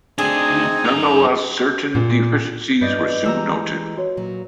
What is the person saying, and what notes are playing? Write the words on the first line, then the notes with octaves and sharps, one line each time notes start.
Nonetheless certain deficiencies were soon noted.
D2 C4 D4 D#4 G#4 G#5 D#6
F#2 A#5
A#2
G2 B4 D5 D#5 G6
E3 G3 G#3 A#5 E6
F#4 C#5
A#2 F#3